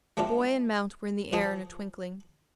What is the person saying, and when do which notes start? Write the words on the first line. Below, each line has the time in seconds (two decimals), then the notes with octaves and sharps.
Boy and mount were in the air in a twinkling.
0.17 G#3 A3 C4 D4 F4
1.33 F3 G#4 C5